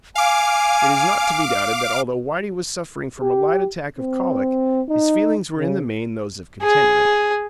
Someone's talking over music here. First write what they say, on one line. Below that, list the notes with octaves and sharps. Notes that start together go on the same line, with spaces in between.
It is not to be doubted that although Whitey was suffering from a light attack of colic his feelings were in the main those of contentment.
F5 G#5 D6
G4
C4
D#4
C#3
G#4